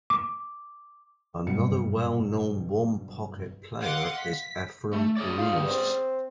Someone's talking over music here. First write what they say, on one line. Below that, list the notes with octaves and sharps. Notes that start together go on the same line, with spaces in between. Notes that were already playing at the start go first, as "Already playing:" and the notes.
Another well-known one-pocket player is Efren Reyes.
D6
F#1 G2 B2 C#7
D#5 F5 F#5 C6 D6
B6
A3
G#4 C#5 D5
F4
G2
C4